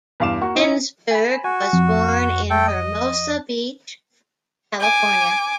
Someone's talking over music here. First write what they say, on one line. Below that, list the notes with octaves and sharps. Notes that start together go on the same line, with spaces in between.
Ensberg was born in Hermosa Beach, California.
E2 G2 F5 D6 E7
A#3 F#4 C#6
D#4 E4 D#5
G#5 B5
F#4 G#5
F2
A3 A4 G5
D#5
G#5 D6